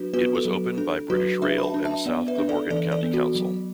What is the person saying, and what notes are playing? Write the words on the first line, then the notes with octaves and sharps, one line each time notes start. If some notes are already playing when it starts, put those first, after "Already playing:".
It was opened by British Rail and South Glamorgan County Council.
Already playing: F#3 D4 F#4 B4
B3 F#4 B4
A4
F#3
D4 A4
F#3 F#4 B4
D4 B4 E5
B5
E5 A5
D4
E5 A5
B3 D5 F#5
B4 E5
D4
A4 D5
E3 A4 D5
A4 D5
B3
F#4
F#3